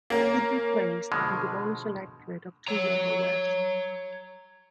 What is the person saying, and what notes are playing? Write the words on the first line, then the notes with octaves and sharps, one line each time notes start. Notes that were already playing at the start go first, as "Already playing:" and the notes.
It replaced the abolished electorate of Toowoomba West.
A#3 C#4 A#4
B2 D3 F3 G#3
C#5 A#5